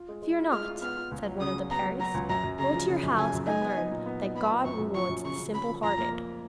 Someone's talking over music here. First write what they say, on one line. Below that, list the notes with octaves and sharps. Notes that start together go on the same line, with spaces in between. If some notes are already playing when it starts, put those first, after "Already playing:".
'Fear not,' said one of the peris; 'go to your house, and learn that God rewards the simple-hearted.'
Already playing: F4
G#3
G#3
F4
G#3 F6
F4
B3 F6
F4
C#2
F#3
C#3 D#6
F#3
B3 A#5
F#3
F#3 A#5
C#2
F#2 A#5
F#2
C#3 A#5
F3
C#3
F#2
C#3 G#5
F#2
D#4 G#5
B3
D#4
A#2
B3
D#4
B3 B5
A#2
F#2 C#6
F#2
F3 C#6
F#2
C#3 C#6
C#3
C#3 B5
F3
F2 A#5
A#3
A#3